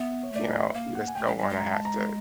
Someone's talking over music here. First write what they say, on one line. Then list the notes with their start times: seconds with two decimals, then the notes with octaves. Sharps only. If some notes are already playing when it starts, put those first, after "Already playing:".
you know, you just don't wanna have to
Already playing: B3 E5
0.23 C#5
0.32 A3 D5
0.49 D#5
0.61 E5
0.74 A#3 F5
0.95 F#5
1.08 G#5
1.15 A3 G5
1.26 G#3
1.37 G3 G#5
1.49 G#3
1.57 A#5
1.72 A5
1.85 A#5